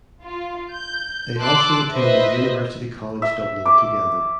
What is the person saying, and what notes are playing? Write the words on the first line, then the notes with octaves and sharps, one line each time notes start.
They also attended University College Dublin together.
F4
G6
A5 C6 D6 E6 F#6
B4 C5 D#5 E5
E5
D6